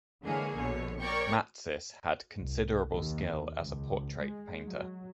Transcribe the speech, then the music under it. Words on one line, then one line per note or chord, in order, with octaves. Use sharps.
Matsys had considerable skill as a portrait painter.
D3 E3 G#3 A#3 G#4 C#5
A#1 B2 D3 C#5
A#4 C#5 D5 G5 C#6
C2
D#2
C#2
G#3
F#3